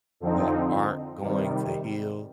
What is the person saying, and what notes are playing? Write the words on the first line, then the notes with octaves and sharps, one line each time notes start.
that aren't going to heal
F2 D3 F3 C4 D#4
C3 D#3 G3